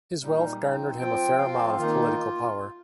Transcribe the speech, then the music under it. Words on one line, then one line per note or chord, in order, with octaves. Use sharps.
His wealth garnered him a fair amount of political power.
A#2 G3 D#4
F3 C4 D#4
F3 C4 F4 G5
F3 C4 F4 F5
D#3 A#3 D#4 F4